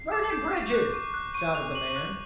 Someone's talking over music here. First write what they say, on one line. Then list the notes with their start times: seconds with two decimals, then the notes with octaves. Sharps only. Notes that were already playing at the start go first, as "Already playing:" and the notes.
"Burning bridges!" shouted the man.
Already playing: C7
0.12 D6
0.32 G6
0.53 C#6
0.73 F#6
0.94 C#6
1.14 F#6
1.34 C#6 D#7
1.55 F#6 F7
1.75 C#6 F#7
1.96 F#6